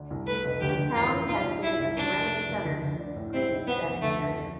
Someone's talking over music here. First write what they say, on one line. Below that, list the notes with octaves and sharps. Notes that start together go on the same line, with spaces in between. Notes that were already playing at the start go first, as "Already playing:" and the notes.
The town has been a ceramics center since the pre Hispanic period.
Already playing: D2 D4
C2
A3 B4
F1
D2 G4
D2
A1 F4
A1
B1 F4
B1
D4 E4
C2
F1 D4
F1
A3
F1
D2
D2
D4
A2
C4 E4
B1
F3 B3
F1
D2 A3
D2
F2